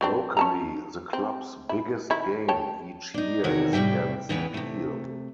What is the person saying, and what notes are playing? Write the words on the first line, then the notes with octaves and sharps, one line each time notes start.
Locally, the clubs biggest game each year is against Peel.
F#3 C4 D4
C#4 A5 A#5
C4
E4
D#3 E4
C#5 G5 A5
D4 D#4
E2 C3 D#3 F#4 A#4 C#5
A2 C3 G3 E5 G5
E2 C#3 E3 G#3 B3 G5
C3 A3